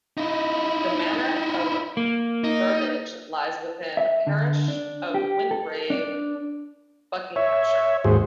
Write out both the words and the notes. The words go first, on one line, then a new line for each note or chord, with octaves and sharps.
The Manor of Burbage lies within the Parish of Wingrave, Buckinghamshire.
D#4 E4
A#3
D#4
E5
D3
D4
G4
A4
D4
C#5 E5
D#2 G#2 F#4 G#4 C5